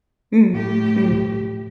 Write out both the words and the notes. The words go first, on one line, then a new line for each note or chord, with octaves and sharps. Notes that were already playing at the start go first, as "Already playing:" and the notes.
Mm, mm.
A2 G4